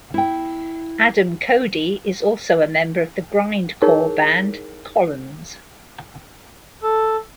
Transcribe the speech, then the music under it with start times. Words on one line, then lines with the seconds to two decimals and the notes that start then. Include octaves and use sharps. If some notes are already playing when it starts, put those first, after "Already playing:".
Adam Cody is also a member of the grindcore band Columns.
0.14 E4 G5
3.82 D#4 E4 G#4 A#4 C#5
6.83 A4